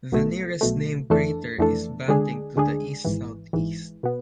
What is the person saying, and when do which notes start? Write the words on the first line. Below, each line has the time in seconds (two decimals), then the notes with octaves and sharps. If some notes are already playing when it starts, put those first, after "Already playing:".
The nearest named crater is Banting to the east-southeast.
0.12 B1 B2 A3
0.61 B1 B2 A3
1.10 F2 E3 A3 D4 A4
1.59 F2 E3 A3 D4 A4
2.08 D2 D3 G#3 D4 G#4
2.56 D2 D3 G#3 D4 G#4
3.05 G#1 G#2 E3
3.53 G#1 G#2 E3
4.03 B2 B3